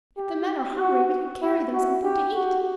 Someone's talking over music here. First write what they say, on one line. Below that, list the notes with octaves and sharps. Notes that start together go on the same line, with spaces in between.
If the men are hungry we could carry them something to eat.
G4
F#4
E4
F#4
G4
F#4